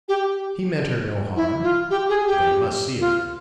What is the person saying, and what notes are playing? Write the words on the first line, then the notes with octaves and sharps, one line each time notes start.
He meant her no harm--but he must see her.
G4
E4
F4
G4
G#4
G4
F4